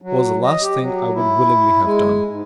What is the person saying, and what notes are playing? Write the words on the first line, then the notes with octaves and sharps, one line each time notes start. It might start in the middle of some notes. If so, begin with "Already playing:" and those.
It was the last thing I would willingly have done.
F#3
D#5
G4
F#3
E4
G#3
G#2